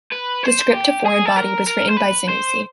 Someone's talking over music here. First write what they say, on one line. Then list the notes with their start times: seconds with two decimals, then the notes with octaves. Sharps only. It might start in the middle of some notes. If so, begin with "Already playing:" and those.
The script to "Foreign Body" was written by Zanussi.
0.12 B4
0.44 C5
0.73 G4
1.05 G#4
1.26 A4
1.36 A#4
1.67 A#4
1.89 C5
1.97 B4
2.28 C5